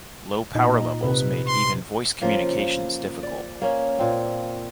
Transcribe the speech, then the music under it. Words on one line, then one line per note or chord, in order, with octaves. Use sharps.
Low power levels made even voice communications difficult.
A#2 D#4 D#5
C3 B4
C6
C#3 F3 A#3
D5
A#3 C#4
A#2 C4